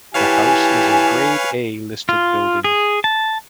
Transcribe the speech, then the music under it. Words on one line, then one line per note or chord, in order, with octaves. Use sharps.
The house is a Grade A listed building.
E3 G4 B4 C#5 F5 G#5 A5
F4
G#4
A5